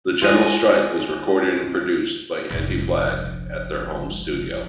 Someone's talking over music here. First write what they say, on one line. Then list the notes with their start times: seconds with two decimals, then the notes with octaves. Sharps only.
The General Strike was recorded and Produced by Anti-Flag at their home studio.
0.22 F4 G#4 D#5
2.51 F1 A#1